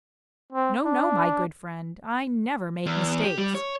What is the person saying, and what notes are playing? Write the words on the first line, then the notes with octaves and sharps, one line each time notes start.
No, no, my good friend; I never make mistakes.
C4
D4
E2
G4
G3
C#5